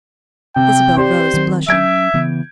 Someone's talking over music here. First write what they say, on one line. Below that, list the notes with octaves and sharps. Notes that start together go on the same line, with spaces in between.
Isabel rose, blushing.
C3 G5
C4 G4 C5 D5
D#3 F#3 C4
F#3 C#4 E5 G6 G#6 D7
C#3 E3 B3